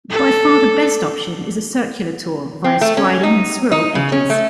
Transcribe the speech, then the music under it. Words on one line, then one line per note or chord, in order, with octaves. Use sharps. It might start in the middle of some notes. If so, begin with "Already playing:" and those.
By far the best option is a circular tour via Striding and Swirral Edges.
A4
C4
A3
C#4
D#4
D#4
C#3
C#4
A3